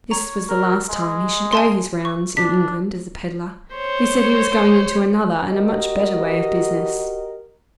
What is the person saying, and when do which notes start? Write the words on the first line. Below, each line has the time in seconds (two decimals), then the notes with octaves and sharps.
This was the last time he should go his rounds in England as a pedlar; he said he was going into another and a much better way of business.
0.11 C#5 A#5
0.49 A#4
0.89 G#3
1.53 G#5 A5 C6
2.05 C#6
2.37 D4 B6
3.75 C5 C#5
5.52 F#4 G4 A#4 D#5